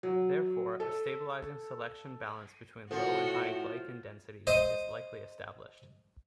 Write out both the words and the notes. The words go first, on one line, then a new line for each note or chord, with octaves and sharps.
Therefore, a stabilizing selection balance between low and high glycan densities is likely established.
F#3
A4
A2 F3 F#4 A4 F#5
C5 D#5